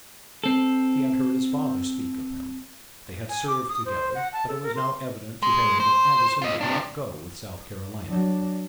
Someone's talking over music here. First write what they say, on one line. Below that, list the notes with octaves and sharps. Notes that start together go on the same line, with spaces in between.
He had heard his father speak of him; they had served together, but it was now evident to Harry that Anderson would not go with South Carolina.
C4 A4
G#5
D6
D#6
C5
F#5
A5
A4
A#4
C6
G#3
C5
F4 D#5
C3 D4
F#3 D4